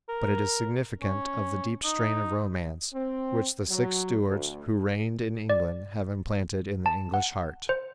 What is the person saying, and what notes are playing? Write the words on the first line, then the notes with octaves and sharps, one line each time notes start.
But it is significant of the deep strain of romance which the six Stuarts who reigned in England have implanted in the English heart.
A#4
C#4
D#4
C4
F#3
D2
D5
A5
F#5
C5